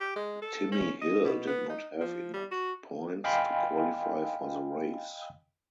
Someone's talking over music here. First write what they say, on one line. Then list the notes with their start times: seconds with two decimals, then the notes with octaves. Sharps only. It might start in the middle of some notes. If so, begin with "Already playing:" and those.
Timmy Hill did not have enough points to qualify for the race.
0.01 G4
0.16 G#3
0.42 A4
0.72 C#4
1.02 D#5
1.24 B2
1.47 B3
1.69 D#4
2.00 F3
2.34 G3
2.51 F#4
3.24 D#5 F5 G5 G#5 B5 C6